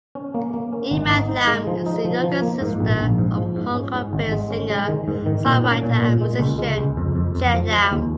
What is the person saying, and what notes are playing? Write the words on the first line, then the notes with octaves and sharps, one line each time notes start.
Eman Lam is the younger sister of Hong Kong-based singer-songwriter and musician Chet Lam.
C#4
A#3
A#3
C#4
G#1
D#4
D#4
G#3
F3
D#4
F3
F3
A#3
G#2
A#1
A#1
G#2
F3
G#2
C#4
G#2
G#1
G#3
C#4
G#3
D#3
G#2
D#3
A#2
C#4
A#2
A#2
G#3
C#2
G#3
C#2
F2
F2
F2
F3
G#3
D#2